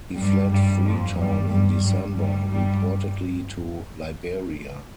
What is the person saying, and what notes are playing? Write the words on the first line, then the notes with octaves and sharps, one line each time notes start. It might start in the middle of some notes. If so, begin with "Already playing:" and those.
He fled Freetown in December, reportedly to Liberia.
G2 G3
G2 G3
F2 F3
G2 G3
G2 G3
G2 G3
G2 G3
G2 G3